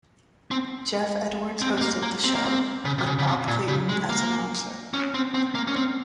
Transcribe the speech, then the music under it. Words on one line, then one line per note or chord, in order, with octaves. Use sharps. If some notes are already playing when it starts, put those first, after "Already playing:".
Geoff Edwards hosted the show, with Bob Clayton as announcer.
C4
C4
C4
A#3
A#3
C4
A#3
C4
C#3
C3
C#3
C#3
C3
A#2
C#3
G#3
A#3
C#4
C4
C4
A#3
C#4
C4